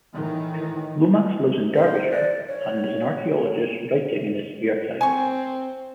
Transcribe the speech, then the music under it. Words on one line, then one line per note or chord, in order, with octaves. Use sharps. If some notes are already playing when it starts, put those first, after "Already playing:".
Lomax lives in Derbyshire and is an archaeologist, writing in his spare time.
A2 D#3 E3
C5
D5
C#5
C4 G#5 C#6